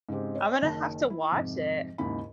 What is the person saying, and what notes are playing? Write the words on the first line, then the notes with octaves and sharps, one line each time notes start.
I'm gonna have to watch it.
G#2 C#3 G#3 C4 G4
C#5 D#5
F#1 D#3 A5
E4
F2 G#2 C3
D#2 G#2 C#3 E4 B5